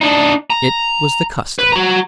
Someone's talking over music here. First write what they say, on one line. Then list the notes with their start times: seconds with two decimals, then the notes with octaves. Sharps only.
It was the custom.
0.01 D4 D#4
0.50 A#5
1.59 B4
1.72 F#4 A#5